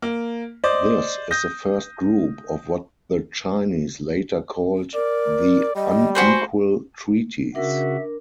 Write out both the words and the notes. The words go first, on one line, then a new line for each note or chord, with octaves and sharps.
This is the first group of what the Chinese later called the "unequal treaties".
A#3
C5 D5 D#5
D#6 G6 A#6
A#4 D5
G3 D#5
F#4 B4 C5 G#5
C#3 D4 F#4 A#4 E5